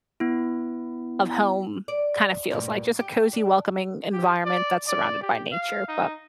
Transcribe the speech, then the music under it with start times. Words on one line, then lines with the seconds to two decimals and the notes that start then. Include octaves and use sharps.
of home kinda feels like, just a cozy welcoming environment that's surrounded by nature but
0.20 B3 E4
1.88 D5
2.51 D2 G2 A#2
2.99 G4
3.33 D4
4.13 G4
4.45 D5
4.88 D5
5.22 G4
5.52 F5
5.88 D#4